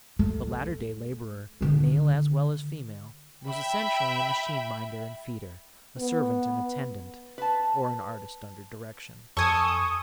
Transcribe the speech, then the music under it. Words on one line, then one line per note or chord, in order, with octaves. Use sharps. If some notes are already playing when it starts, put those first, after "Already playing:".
The latter-day labourer, male as well as female, was essentially a machine-minder and feeder, a servant and attendant, or an artist under direction.
A3
D3 D#3
E5 G5 B5
B3
B4 A5
F2 A4 G#5 C#6 D#6